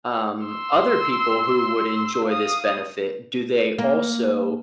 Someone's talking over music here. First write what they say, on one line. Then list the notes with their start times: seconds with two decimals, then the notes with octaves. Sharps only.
um, other people who would enjoy this benefit, do they also
0.47 C6 E6
2.25 F5 D#6
3.78 A#3